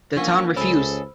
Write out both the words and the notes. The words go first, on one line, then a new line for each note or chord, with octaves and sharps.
The town refused.
F3 A#3 C#4 D4 F5 F#5
C#2 C#4 G#4 A4 C5 B5 E6